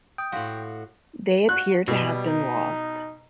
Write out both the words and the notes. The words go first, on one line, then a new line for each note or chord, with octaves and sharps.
They appear to have been lost.
G5 D#6
A2 F#4 G#4 F5 C6
F#4 F#6
B2 G3
D#4